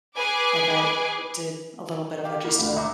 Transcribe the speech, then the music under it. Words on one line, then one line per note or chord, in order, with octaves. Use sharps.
like, I I did a little bit of a just a,
G#4 B4 G#5 D6
G4 F5 G5
E3 A#3 F4 F#5 D6
D2 F5 B5
C#2 E5 A#5 D6